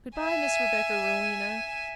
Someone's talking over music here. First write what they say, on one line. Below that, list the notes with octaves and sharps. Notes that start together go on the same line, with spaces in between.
Good-by Miss Rebecca Rowena!
E5 G#5